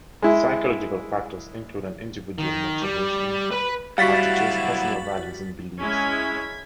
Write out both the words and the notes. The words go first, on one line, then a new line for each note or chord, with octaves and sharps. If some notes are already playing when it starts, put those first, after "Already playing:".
Psychological factors include an individual's motivation, attitudes, personal values and beliefs.
G#3 E4
D#3
G3
B4 B5
F#3 G3 E4 F#4 F5 F#5 A6 B6
G#3 C#4 E4 G#6 B6